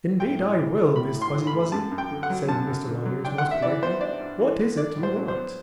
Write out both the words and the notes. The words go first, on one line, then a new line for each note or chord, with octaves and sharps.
"Indeed I will, Miss Fuzzy Wuzzy," said Mr. Longears, most politely. "What is it you want?"
A2 G5
A2
E3
A3
A2 B5
A2
C6
E3
B5
A3
F#2 A5
F#2
G5
D3
F#5
F#3
F#2 A5
F#2
D3
F#3
D4 G5
F#5
G2
E5
E3 D5
B3 C5
D4 D5
G2
E3
B3
D4 D5
A2
C5
F#3
C5
B3